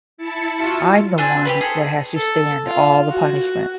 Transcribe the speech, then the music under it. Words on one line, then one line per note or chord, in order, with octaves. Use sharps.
I'm the one that has to stand all the punishment.
E4 A5 C#7
F4 F#4
C4 D4 G#5 F#6
G4 A#4 B4
G#4 A4
A4
F4
F#4